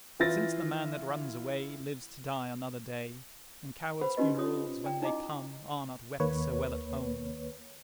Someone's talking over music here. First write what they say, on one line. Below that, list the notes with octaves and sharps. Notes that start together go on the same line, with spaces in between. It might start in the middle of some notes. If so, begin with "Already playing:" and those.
"But since the man that runs away Lives to die another day, And cowards' funerals, when they come Are not wept so well at home."
E3 E4 F4 A6 A#6
B4 C5 F#5 B5
C#4 D#4 F#4 G4 B4 D#5
F4 C#5 D#6
D5 G5
D#4 E4 D#5 A#5 D6
D#2 A#3 B4 C#5